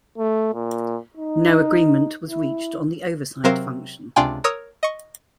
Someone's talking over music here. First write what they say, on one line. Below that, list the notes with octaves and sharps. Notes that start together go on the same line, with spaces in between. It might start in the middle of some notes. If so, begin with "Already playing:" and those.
No agreement was reached on the oversight function.
A3
A#2
D#4
E4
C3 F#3 C4 A#4 C5 F5
C#2 C3 D4 F4 G5 G#5
A#4 C#5 A#5 D#6 E6
D#5 C#6